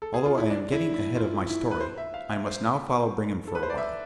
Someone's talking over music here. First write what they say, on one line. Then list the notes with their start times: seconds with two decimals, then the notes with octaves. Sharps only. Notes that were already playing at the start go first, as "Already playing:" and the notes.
Although I am getting ahead of my story, I must now follow Brigham for a while.
0.02 A4
0.14 G#4
0.25 F4
0.38 E4
0.50 D4
0.72 E4
0.94 E4
1.16 F4
1.49 E4
1.71 B4
1.80 C5
1.98 E5
2.14 F5
2.30 E5
2.47 C5
3.48 A4
3.55 B4
3.63 C5
3.70 D5
3.78 E5